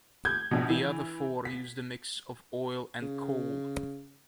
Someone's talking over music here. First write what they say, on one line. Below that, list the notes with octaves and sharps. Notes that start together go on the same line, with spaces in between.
The other four used a mix of oil and coal.
G6 G#6
A#1 B2
E3
B6
C#3